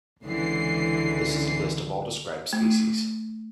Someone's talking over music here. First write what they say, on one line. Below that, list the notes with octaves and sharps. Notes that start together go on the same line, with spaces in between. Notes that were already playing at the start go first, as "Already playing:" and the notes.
This is a list of all described species.
C#2 D3 E3 C7
A3